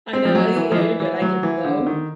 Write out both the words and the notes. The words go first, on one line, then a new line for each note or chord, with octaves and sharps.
I know, yeah, yeah, you're good I get you though.
C4
F3
F#3
E3
F3
E3
E3
F#3
E3
D3
D#3